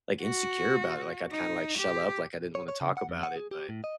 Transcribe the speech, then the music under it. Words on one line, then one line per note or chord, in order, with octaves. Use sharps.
like insecure about it, like, I'd kinda, like, shell up, like, I didn't wanna talk about it, but
F#4
D#4
G4
C#5
C#5
C#3
F#5
F2
F#5
G#4
G4
A2
D#5